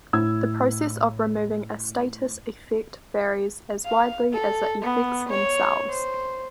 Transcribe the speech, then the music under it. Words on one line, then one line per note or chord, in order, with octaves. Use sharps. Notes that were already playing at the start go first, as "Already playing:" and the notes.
The process of removing a status effect varies as widely as the effects themselves.
A2 E4 E6 G#6
F5
A4
B3
C#5
C5